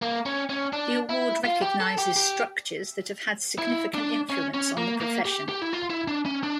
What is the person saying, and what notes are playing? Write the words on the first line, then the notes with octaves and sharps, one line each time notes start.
The award recognizes structures that have had significant influence on the profession.
A#3
C#4
C#4
D4
E4
F4
G4
A4
G4
G4
E4
D4
C#4
C#4
A#3
A#3
G4
G4
E4
F4
E4
D4
C#4
D4